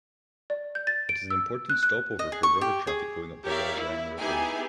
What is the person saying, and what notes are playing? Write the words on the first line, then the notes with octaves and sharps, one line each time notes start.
It is an important stopover for river traffic going up the Rajang River.
D5
G6
A6
D7
E6
F#6
F#6
D#5
G#4
C#6
G4
G#4
G4 A#4 C#5 D5 E5 F5
E4
B3 D#4 E4 G4 G#4 G#5